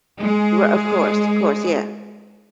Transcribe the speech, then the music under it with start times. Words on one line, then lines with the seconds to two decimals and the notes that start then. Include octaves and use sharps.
Ri of course, of course, yeah.
0.20 G#3 G#4